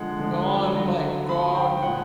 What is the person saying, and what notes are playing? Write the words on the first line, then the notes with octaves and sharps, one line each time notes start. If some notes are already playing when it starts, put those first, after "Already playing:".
"Gone by God."
Already playing: D3 F3 G#3 F#5
D3 F3 G#3
D3 F#3
D3 F#3 B5
G5
G5
A#2 F3 G#3 F#5